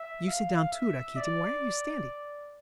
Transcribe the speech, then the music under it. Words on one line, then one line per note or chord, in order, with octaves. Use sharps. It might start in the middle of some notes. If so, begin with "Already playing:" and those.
You sit down, too, Rakitin; why are you standing?
Already playing: E5
F5
E5
D5